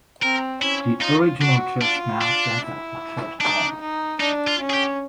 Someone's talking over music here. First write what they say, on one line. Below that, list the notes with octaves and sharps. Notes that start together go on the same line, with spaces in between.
The original church now stands as the church hall.
C4 A#4
C#4 E4
D#4 F4
D4 F#4
D4 F4
D4
E4
D4 D#4
D#4
D4 D#4
F4
C#4
G#4
G4